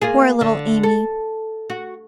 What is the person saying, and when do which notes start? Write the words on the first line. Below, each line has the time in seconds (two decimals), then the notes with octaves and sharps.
Poor little Amy!
0.02 A#3 F4 G#4
0.41 D3
0.83 A4
1.70 F#4